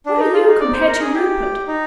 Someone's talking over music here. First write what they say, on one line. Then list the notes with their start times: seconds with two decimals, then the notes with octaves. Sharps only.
What are you compared to Rupert?
0.06 D4
0.19 D#4
0.33 F4
0.46 D#4
0.60 D5
0.73 C5
0.87 A#4
1.00 G#4
1.14 G4
1.68 D#4